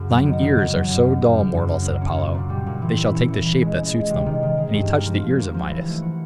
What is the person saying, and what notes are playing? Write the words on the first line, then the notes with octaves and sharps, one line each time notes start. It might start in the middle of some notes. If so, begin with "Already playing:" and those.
"If thine ears are so dull, mortal," said Apollo, "they shall take the shape that suits them." And he touched the ears of Midas.
Already playing: F#2 C#3 A#3
F#3
D#3
D#3
F#3
F#3
F#2
F#2
F#2
C#3
F#2
F#2
A#3
C#4
A#2
A#2
G3
A#2
E3
E4
C#4
E3
E3
G#3
G#3
G#3
C3
D#3
D#3
G#3
G2
A#3
F3
F3
A#3
F3
E3
A3
F#4